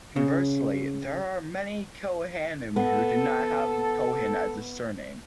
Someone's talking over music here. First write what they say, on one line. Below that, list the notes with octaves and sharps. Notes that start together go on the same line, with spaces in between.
Conversely, there are many kohanim who do not have Cohen as a surname.
C#3
B3 A4